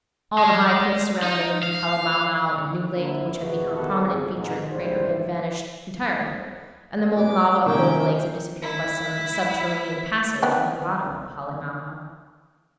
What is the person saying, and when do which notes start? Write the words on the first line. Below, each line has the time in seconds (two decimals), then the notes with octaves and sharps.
All the high cliffs surrounding Halemaumau and New Lake, which had become a prominent feature in the crater, had vanished entirely, and the molten lava of both lakes had disappeared by some subterranean passage from the bottom of Halemaumau.
0.38 G#3
1.23 D#4
1.63 F5
2.94 D3 A#3 E4
3.41 E2 B2 E3 B3 F#4 B4
3.74 D#3 B3 F#4 G4 A4
4.05 G#1 F2 G#4
4.35 B1 G#2 C3
4.71 A1 G#2 G3 E4 C5
7.16 F#3 B3 D6
7.66 C3 D#3 A3 A#3 C#4 G5
8.62 E4 B6
10.43 D#3 B3 C4